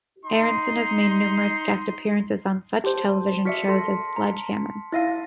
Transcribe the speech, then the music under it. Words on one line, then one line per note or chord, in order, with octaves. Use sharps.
Aronson has made numerous guest appearances on such television shows as Sledge Hammer!
D#4 C6
G4 C5 A5 C6
F#4 D5 E5 F6 B6 C#7
A4 A5 C6 A#6
A#5
E4 E5 F5 A6 A#6 D#7